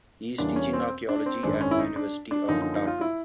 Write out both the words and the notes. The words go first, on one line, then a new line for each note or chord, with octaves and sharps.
He is teaching archeology at University of Tartu.
E2 C#3 E3 G3 A#3 D4
C#4
C4
D4
C4
G#1 F#2 D#3 G#3 C4 D4
C#4
E4
D#4
D4
D4
F#2 D3 F3 A#3 D#4
D#4
D#4
F4
E4